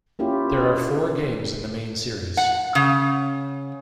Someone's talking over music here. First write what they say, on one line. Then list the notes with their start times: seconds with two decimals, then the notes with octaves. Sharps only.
There are four games in the main series.
0.19 A#3 B3 C#4 E4 F4 G4
2.37 F#5
2.75 C#3